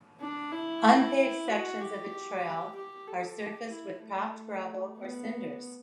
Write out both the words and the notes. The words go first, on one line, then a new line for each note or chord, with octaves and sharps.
Unpaved sections of the trail are surfaced with packed gravel or cinders.
D4
E4
F#4
G4
G4
A4
G4
E4
A3
B3